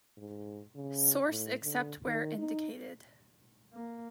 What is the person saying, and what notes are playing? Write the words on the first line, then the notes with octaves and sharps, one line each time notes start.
Source except where indicated.
G#2
C#3
A2
D3
D#3
D#4
A#3